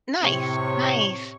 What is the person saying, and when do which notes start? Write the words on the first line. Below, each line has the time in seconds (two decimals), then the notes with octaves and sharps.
Nice. Nice.
0.23 A2 C3 C#5 C#6